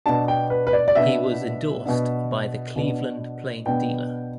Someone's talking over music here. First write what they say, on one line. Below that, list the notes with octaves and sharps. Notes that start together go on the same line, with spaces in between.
He was endorsed by the "Cleveland Plain Dealer".
B2 B3 D4 A5
G5
B4
B4
D5
D5
B2 B3 D4 E5
B2 B3 D4
B2 B3 D4
B2 B3 D4 G5